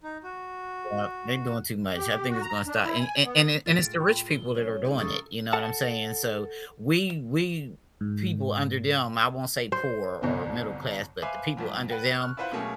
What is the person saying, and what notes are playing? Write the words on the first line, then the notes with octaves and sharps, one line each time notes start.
Yep. They're doing too much, I think it's gonna stop, and and and and it's the rich people that are doing it, you know what I'm saying? So, we we people under them, I won't say poor or middle class, but the people under them,
D#4
F#4
G4
F#4
A#5
D4
E4
G#5
B3
A2 G#3 F4 A6 A#6 D7
G5 B5 C6
G7
F#3 C#4
G#3 D#4 D5
C3 C#4 A4 A#4 F5 C#6 D#6
A4 F#5 A5
G#2
C5
G1 C2 B3
B4 C5 E5 F5 G#5 D6
B1 F2 G#2
B4 F#5 G5
C#6 F6 F#6
E4 F4 B4 C5 F#5
B2 F#3 A3 A#3 C#4 G#4